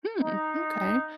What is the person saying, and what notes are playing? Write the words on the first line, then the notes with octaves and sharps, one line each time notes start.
Hmm, m'kay.
D#4